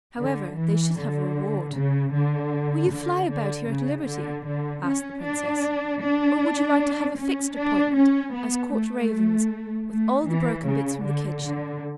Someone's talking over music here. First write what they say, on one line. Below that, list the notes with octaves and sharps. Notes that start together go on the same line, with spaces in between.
However, they should have a reward. "Will you fly about here at liberty," asked the Princess; "or would you like to have a fixed appointment as court ravens, with all the broken bits from the kitchen?"
D3
E3
D3
C#3
D3
D3
D3
C#3
D3
D3
C#4
D4
D4
C#4
D4
C#4
B3
A3
A3
E3
C#3
D3
D3